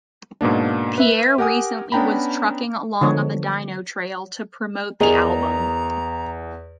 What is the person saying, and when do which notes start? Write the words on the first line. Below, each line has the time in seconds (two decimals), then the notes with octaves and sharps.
Pierre recently was "trucking along on The Dino Trail" to promote the album.
0.41 G#2 B2 A#3 D4
0.98 B4 E5
1.38 G4 A#4 F#5 G#5 D#6
1.92 B3 C#4 D4 G5 A#5 B5
3.01 D3 E3 F3 G#3 B3 C#5
5.01 E2 G#4 A#4 D#5 A#5 F7